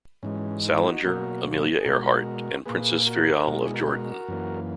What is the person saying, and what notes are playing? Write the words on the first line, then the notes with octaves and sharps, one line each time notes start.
Salinger, Amelia Earhart, and Princess Firyal of Jordan.
G#2 E3 G#3 C#4
D#4
C#4 E4
D#4 F#4
B2 F#3 A#3 F#4 A#4
G#4
B2 G#3 F#4 A#4
A#2 A#3 G#4 B4
F#4 A#4
B2 G#3 F#4 A#4
E4 G#4
F#4 A#4
F#4 A#4
F#2 E3 A#3